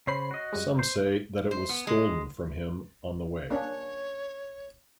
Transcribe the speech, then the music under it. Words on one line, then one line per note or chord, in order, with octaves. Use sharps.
Some say that it was stolen from him on the way.
C#3 C5 C#5 B5 C7
F#4 D#5
F#2 G3 G#3
C5
C5
B3
G#3
A#3 C#4 D4 C#5